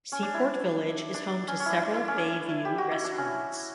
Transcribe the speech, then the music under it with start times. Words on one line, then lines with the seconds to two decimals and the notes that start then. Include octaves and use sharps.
Seaport Village is home to several bay-view restaurants.
0.12 C#4
0.22 D4
0.34 E4
1.14 D4
1.48 C#4
1.60 C#4
1.66 D4 E4
1.82 E4
1.94 E4
2.08 C#4
2.17 D4
2.65 G4
2.78 F#4
2.91 E4
3.04 D4
3.18 C#4